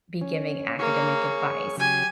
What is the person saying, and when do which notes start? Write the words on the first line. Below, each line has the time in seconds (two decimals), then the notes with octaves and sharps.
be giving academic advice."
0.21 C#4
0.79 A#3 G#4 C#5 C#6
1.77 C#3 F#3 G4 G#5